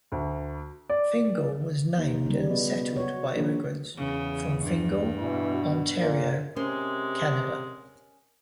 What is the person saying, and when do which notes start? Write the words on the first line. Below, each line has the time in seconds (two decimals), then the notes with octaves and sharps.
Fingal was named and settled by immigrants from Fingal, Ontario, Canada.
0.12 D2
0.90 D5
1.97 D#2
2.26 C#3 G3
2.50 B2
2.96 F#4 C#5
3.36 A#1
3.96 E2 C#3
4.64 G2
5.19 B2 E3
5.99 A#2
6.56 C3 G#3 C#4 A#4 C5